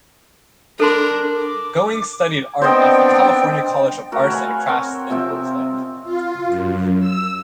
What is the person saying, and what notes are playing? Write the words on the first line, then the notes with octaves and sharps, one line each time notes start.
Goings studied art at the California College of Arts and Crafts in Oakland.
D4 A4 A#4 C6
D6
B3 C4 D4 C5 D#5 G5
A3 F#4 A#4
B4 C#5 F5 G#5
C4 A#4 C#5 F#5
C3 F3 C4 E5
F4
F#2
E6